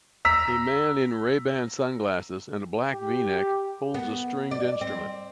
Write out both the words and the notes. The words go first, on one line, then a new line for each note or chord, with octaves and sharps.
A man in RayBan sunglasses and a black vneck holds a stringed instrument.
A#5 E6 B6
G4
B3
D5
C4